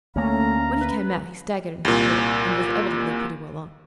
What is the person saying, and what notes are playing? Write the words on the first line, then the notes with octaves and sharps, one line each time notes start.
When he came out he staggered in his walk, and was evidently pretty well on.
D2 A3 A#3 C#4 F5 A#5
C#4 B4
C2 A#2